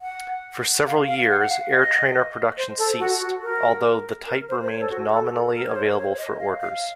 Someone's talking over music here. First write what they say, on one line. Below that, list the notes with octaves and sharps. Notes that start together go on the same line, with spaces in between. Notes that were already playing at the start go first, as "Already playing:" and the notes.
For several years Airtrainer production ceased, although the type remained nominally available for orders.
F#5
F5
F5
F#5
F#5
F5
D#5
C5
A4
F#4
F#4
A#4
A#4
C5
C5
C#5
A4
F#4
A4
A#4
C#5
C5
C#5
D#5
F5
F5